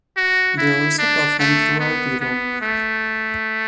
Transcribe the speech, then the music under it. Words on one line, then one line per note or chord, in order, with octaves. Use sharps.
They also performed throughout Europe.
F#4
E4
D4
A3
B3
B3
A3